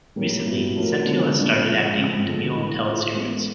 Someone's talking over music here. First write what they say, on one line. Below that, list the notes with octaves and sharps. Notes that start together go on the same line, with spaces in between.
Recently, Senthil has started acting in Tamil tele-serials.
A2 E3 G3 A#3 C#4
B2 F#3 B3 E4 G4
F3 A3 C#4 F#4 A#4
D3 F3 G#3 B3 D4
A#2 G3 B3 D4 F4
C#3 F3 G#3
C#3 F3 G#3 C4
D3 F3 G#3 B3
A2 E3 A3
A3 C#4 F4 A4 C5
E3 G#3 B3